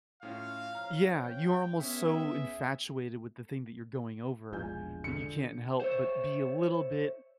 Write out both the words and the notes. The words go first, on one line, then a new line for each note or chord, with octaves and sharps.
Yeah, you're almost so infatuated with the thing that you're going over that you can't help but be a little bit
A2 C#4 F4 F5
F3 C#4 C#5 A#5 F6
G5
B3 C#4 G#4 E5
E1 A#1 G#3 F4 G#5 G6
D3 C#7
C5 C#5 E5